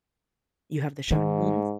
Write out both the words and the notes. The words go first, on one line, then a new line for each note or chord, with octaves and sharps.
you have the shotguns?
G#2 D#3